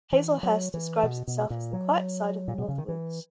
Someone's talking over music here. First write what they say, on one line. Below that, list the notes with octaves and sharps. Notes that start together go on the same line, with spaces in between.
Hazelhurst describes itself as the Quiet side of the North Woods.
E3
F#3
E3
B2
B2
A#2
F#3
A#2
B2
C#3
D#3
E3